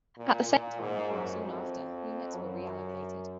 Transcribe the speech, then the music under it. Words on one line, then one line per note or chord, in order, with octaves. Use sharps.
At the same time, or soon after, units were reallocated.
A#2
A#2
G#2
F#2
F2
F#2